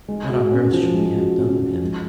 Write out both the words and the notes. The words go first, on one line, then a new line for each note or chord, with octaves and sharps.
"What on earth should we have done with him?"
G#3
F#4
C#4
F3
G#3
F#4
C#4
F3
G#3